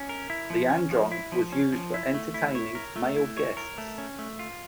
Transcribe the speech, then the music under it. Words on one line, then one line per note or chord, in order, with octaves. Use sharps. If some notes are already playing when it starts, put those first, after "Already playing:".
The andron was used for entertaining male guests.
Already playing: C#4
A#4
E4
F3
C#4
F3
E4
F3
C#4
F3
E4
A3
E4
C#5
A#4
A3
E4
C#5
A#4
A3
C#4
A3
F4